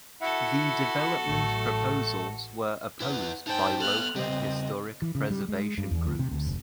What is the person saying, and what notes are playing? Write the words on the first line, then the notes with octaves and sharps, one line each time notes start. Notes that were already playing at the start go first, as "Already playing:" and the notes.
The development proposals were opposed by local historic preservation groups.
E4 F#4 A4 E5 F#5
A1 F#3 A3
E4 B4 F#5
D#4 C5 G5 A5
B3 A4 F6 F#6
C#3 G3 C4 D#5
E3
C#3
G3
G#3
G2
E2
D2
C3
D2
F1